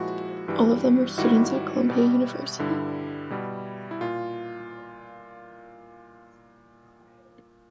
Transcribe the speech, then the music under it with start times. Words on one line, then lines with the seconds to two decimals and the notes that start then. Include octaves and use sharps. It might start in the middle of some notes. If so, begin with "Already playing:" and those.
All of them were students at Columbia University.
Already playing: A#2 F3 G#3 E4 F#4
0.48 G2 E3 G3
1.18 G#2 D#3 G3 E4 F#4
1.89 B2 G3
2.59 G2 D3 G3 E4
3.30 B2 G3
3.91 E4
4.01 A#2 F4